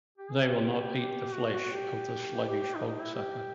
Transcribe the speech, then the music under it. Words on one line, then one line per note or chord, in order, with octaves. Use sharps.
They will not eat the flesh of the sluggish hog-sucker.
G4
G#4
G4
F#4
F#4
G4
G4
G4
D#4
D#4
E4
G4